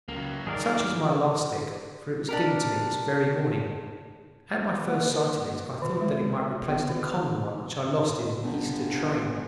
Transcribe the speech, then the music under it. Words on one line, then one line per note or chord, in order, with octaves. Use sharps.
Such is my last stick, for it was given to me this very morning. At my first sight of it I thought that it might replace the common one which I lost in an Easter train.
C#2 F#3 A#3
G#2 D#3 G3 G#4 A#4 D5
D4 G4 A#4
A#3
A#4
D#3
G#3
B3
D#3
G1